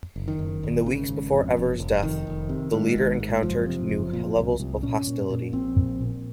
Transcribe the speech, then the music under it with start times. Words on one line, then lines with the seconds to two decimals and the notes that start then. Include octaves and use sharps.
In the weeks before Evers' death, the leader encountered new levels of hostility.
0.16 F#1
0.28 D#3
0.39 F#1
0.63 G#1
0.86 C#3
1.09 G#1
1.32 F2
1.57 F1
1.79 F1
2.02 F1 D#3
2.27 F1
2.49 C3
2.73 G#2
2.96 G#1
3.20 G#2
3.43 F#1 F3
3.66 C3
3.90 F#1
4.13 A#2
4.36 C2
4.60 C2
4.83 A#2 C#4
5.07 A#2
5.30 A#2
5.53 A#1 C4
5.76 A#2
6.01 A#2